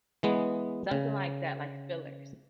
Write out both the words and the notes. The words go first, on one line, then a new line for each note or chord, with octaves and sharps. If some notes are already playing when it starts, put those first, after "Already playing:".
something like that, like fillers.
E3 G#3 B3
C#3